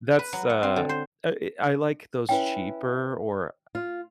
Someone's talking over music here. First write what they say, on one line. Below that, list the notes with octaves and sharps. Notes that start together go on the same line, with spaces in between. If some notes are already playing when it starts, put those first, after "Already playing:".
that's uh uh eh I like those cheaper or I
B4
F#3
F#5
C4
D3
C5
C#4 E4 B4 G5
F4